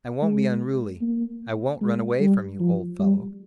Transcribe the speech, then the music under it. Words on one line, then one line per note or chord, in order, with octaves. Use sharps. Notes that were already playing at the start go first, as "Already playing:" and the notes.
I won't be unruly, I won't run away from you, old fellow.
G#3
A#3
G#3
G3
F3
G3